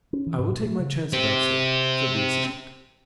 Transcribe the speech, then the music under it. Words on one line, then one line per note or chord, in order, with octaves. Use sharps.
"I will take my chance of that, sir," said the assistant.
C#4
E3
G#2
A#2
A3
C#3
C4 G4